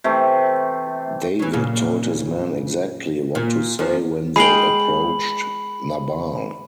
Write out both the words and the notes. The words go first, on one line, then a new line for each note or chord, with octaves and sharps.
David told his men exactly what to say when they approached Nabal.
C3 E3 A3
E3 F#3
F#2 A#2 C#3
A#2
E2 F3
G#3 F5 G5 B5 F#7